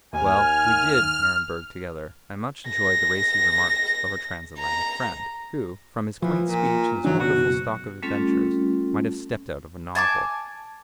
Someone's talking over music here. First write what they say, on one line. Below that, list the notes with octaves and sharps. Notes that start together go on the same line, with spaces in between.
Well, we 'did' Nurnberg together, and much enjoyed the racy remarks of our Transatlantic friend, who, from his quaint speech and his wonderful stock of adventures, might have stepped out of a novel.
D#2 G#5 F6
A#6
A#5
E3 F3
A#2
D#3 E3 F#3 D4
F#1 B2 F#4
G3 A3 C4 C#4 F4 A4
G#5 A5 C6 D6